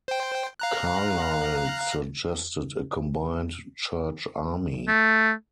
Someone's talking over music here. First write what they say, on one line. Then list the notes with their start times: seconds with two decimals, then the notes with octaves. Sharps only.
Carlile suggested a combined "Church Army".
0.08 C5 G5
0.60 F5 A#5 F#6
4.88 A3